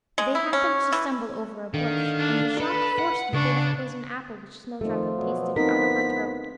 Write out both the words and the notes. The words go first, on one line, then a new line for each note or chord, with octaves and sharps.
They happened to stumble over a bush, and the shock forced the bit of poisoned apple which Snowdrop had tasted out of her throat.
G#3
E4
C#4
E3
D3 D#3 F5
D4
A4 B4 B5
F#5
C#3 D4 C#6
F2 D#3 F3 A3
B2 F#3
D2 B3 C4 D#4 A#4 B6